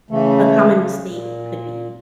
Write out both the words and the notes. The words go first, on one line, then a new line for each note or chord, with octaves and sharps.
a common mistake could be
C#3 E3 A3
C#3
A#2